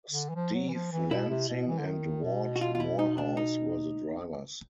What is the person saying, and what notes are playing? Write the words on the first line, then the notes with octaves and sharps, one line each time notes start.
Steve Lansing and Ward Morehouse were the drivers.
D3
E3
F3
F#3
E3
F3
E3
B2 E4
C3
B2
E3
D3
D#3
B2
F#4
F4
F4
E4
D#4
D4
D#4